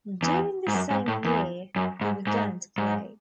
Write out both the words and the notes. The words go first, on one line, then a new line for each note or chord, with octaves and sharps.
During the same year he began to play.
E2
G#2
F#2
G#2
A2
E2
F#2
G#2
G#2
G#2